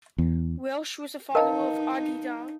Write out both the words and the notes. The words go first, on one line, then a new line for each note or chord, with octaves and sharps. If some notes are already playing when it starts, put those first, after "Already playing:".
Welsh was a follower of Adi Da.
E2
D#4 A#4 B4 D#5 F5 A5 A#5